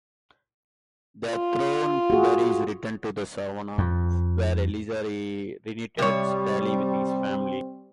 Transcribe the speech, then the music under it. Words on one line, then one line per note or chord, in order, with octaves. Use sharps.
The Thornberrys return to the Savannah, where Eliza reunites Tally with his family.
F4
F#4 G#4
F2
C3 G3 C#5
C4